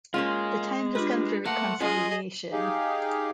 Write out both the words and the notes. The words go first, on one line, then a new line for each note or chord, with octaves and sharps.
The time has come for reconciliation!
G#3 A#3 C#4 F4
D4 F4 G4 B4
A3 A#3 F#5 A5 C6
G#3 C#4 F4 G#4 D#5
D#4 G4 G#4 F5